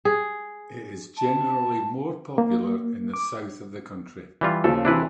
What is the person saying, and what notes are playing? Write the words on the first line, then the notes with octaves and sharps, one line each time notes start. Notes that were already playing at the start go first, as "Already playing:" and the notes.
It is generally more popular in the south of the country.
G#4
A5
A#3
D6
E3 G3 F4
D#2 C#3 F3 A4
C3 E3 D4 E4 B4